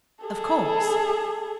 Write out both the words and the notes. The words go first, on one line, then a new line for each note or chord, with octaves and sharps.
"Of course!"
G#4 A4